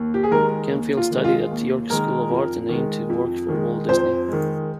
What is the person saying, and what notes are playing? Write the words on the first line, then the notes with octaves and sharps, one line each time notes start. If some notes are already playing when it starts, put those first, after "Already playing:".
Camfield studied at York School of Art and aimed to work for Walt Disney.
Already playing: D#2
G4
G#4
D#3 G#3 A#4
D#2
F4
D#3 G#3
F4
D#2
D#3 G#3 A#4
F2
D#3 G#3
F2
D#3
G#3
F2 C5
D#3 G#3